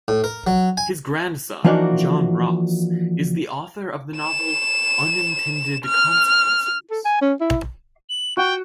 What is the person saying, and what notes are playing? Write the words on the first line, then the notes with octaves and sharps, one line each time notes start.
His grandson, John Ross is the author of the novel "Unintended Consequences".
A2
A#4
F#3
G#5
E3 F3 A#3 D4 D#4 F#4
E7
F6
A4
G#5
C#4
E4
F#7
F#4 G5